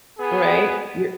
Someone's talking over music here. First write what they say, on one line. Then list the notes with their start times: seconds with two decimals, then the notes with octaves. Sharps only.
Right, y
0.19 B3 G#4